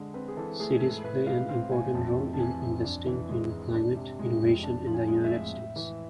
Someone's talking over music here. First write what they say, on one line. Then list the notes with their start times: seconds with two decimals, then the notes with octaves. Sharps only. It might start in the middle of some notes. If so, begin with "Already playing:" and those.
Cities play an important role in investing in climate innovation in the United States.
Already playing: D3 G#3
0.14 C4 B4
0.28 G#4
0.37 E3 A4
0.60 A3 G#4
0.81 G#2 A4
1.04 A2 B4
1.26 G#3 F5
1.49 C4 F5
1.72 A2 G#5
1.94 F2 A5
2.17 C3
2.34 A5
2.39 E3 G#5
2.61 F2
2.84 D4
3.06 E3
3.29 G#3
3.51 G#2
3.74 D4
3.96 C3
4.19 G#3
4.42 F2
4.63 D4 A5
4.87 F3
4.94 G#5
5.08 G#3
5.24 E5
5.31 A2
5.53 A2
5.76 E3